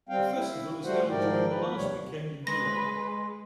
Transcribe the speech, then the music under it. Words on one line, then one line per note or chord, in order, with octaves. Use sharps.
The festival is held during the last weekend in July.
G3 C4 F5 G5
E4
G3 A3 F#4 C5 F#5
G#2 F3 A#4 D5 G5
F3 B4
D#2 C3 G3 C#5
G#3 B4 C6 A#6